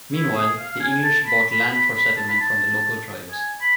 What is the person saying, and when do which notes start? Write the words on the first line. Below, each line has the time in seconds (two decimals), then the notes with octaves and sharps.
Meanwhile, the English bought land for settlement from the local tribes.
0.13 E4
0.35 G#4
0.59 F5
0.70 F5
0.81 G#5
1.03 A5
1.26 B5
1.49 B5
1.72 B5
1.94 B5
2.17 A5
2.29 B5
2.40 A5
3.31 G#5
3.61 B5